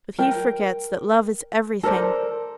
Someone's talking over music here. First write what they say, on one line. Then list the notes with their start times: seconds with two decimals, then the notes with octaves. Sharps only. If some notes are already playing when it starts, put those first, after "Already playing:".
But he forgets that love is everything.
0.19 A#4 G5
1.83 A4 A#4 C5 D5